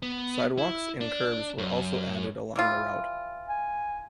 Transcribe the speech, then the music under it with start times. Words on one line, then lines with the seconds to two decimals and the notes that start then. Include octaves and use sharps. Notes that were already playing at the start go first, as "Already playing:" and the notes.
Sidewalks and curbs were also added along the route.
0.03 B3
0.58 E4
1.01 D4
1.58 F#2
2.56 E3 G3 F4
3.48 G#5